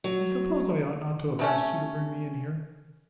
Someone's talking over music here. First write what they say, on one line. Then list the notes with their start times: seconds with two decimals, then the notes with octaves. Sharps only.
I suppose I ought not to have asked you to bring me in here.
0.04 F#3
1.39 C3 A3 C#4